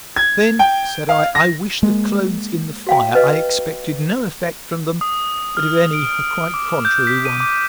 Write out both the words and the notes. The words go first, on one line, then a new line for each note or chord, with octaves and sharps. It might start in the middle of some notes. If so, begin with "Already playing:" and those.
Then, said I, I wish the clothes in the fire: I expected no effect from them; but, if any, a quite contrary one.
G#6
G5
F5
A#6
G#3 A#3
F#4 F5 G5
B4 D#5 F5
D#6
F6
D7
D6
G6
B6
D#7
D6